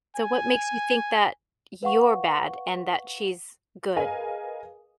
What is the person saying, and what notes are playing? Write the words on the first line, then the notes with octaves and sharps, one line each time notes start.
So what makes you think that, you're bad and that she's good
G#5
B4 F5 F#5 C#6
G#4 A#4 B4 D#5 F5 G#5